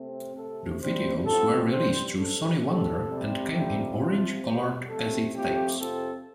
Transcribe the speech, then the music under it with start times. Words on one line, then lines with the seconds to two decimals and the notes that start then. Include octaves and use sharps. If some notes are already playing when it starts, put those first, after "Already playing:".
The videos were released through Sony Wonder and came in orange-colored cassette tapes.
Already playing: C3 A3 C4
0.35 C3 A3 C4 A4
0.80 C3 G3 C4 C5
1.26 G2 F3 C4 A4
1.71 G2 G3 C4 C5
2.16 G2 G3 C4 A4
2.61 C3 G3 C4 A4
3.07 C3 G3 C4
3.53 F2 C3 G3 C4 G4
3.98 C3 F3 C4 F4
4.43 F2 C3 G3 C5
4.89 F2 C3 A3 C4 A4
5.34 F2 F3 A3 C4 G4
5.79 F2 C3 F3 C4 A4